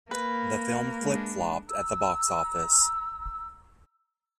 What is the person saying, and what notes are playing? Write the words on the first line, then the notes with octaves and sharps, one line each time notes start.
The film flip flopped at the box office.
A#3 B4
G#3 D4
A#5 E6